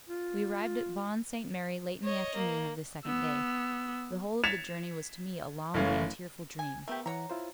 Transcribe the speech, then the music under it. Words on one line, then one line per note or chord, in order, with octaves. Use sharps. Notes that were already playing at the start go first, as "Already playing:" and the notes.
We arrived at Vaughan St. Mary late in the afternoon of the second day. The whole of the journey was to me a long and tearful dream.
F4
C#5 D#5
A#3
B3 E6
G#6 A6 B6 C#7 E7 F7
F#1 E3 A3 C#4 F5
G#5
A3 B3 G4 A#4
E3 C#5 F#5 A#5
E4 F4 C5